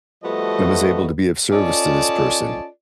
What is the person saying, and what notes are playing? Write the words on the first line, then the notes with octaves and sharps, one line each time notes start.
it was able to be of service to this person.
F3 G3 A3 B3 F#4 D#5
C#4 F4 A4 D5 D#5 A5